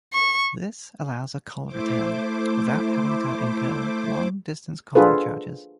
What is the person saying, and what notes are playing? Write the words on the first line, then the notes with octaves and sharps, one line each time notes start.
This allows a call return without having to incur long distance calling charges.
C#6
A3 E4 C5 D6
D4 F4 G#4 A4 B4